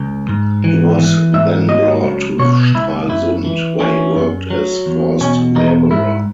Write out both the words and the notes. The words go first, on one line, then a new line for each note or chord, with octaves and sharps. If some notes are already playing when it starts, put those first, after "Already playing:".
He was then brought to Stralsund where he worked as forced laborer.
Already playing: C#2
G#2
E3
E3
G#2 E5
F#3 D#5
C#2
B2 C#5
C#2 E4
F#2 E4
E3
E3 C#4
F#2
F#3
E2
B2 C#4
E2 D#4
G#2 E4